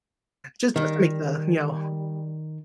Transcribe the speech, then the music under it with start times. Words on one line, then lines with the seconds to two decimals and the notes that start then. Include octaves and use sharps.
just just to make the, you know,
0.76 D#3 G3